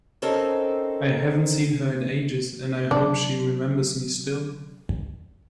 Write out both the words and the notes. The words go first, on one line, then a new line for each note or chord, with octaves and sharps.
I haven’t seen her in ages, and I hope she remembers me still!
C4 C#4 D#4 A4 A#4 C5
C3 F#3 B3 D4